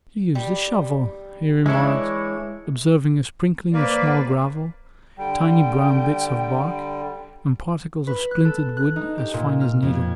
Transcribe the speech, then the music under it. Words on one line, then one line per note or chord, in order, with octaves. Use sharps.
"You used a shovel," he remarked, observing a sprinkling of small gravel, tiny brown bits of bark, and particles of splintered wood as fine as needles.
G3
E3 G#3 D4 E4 C#5
A#3 B4 C5 D5
D3 G3 G5
B4
F#6
A4
F#6
D#4
G4
A#2
F6
F2
G#6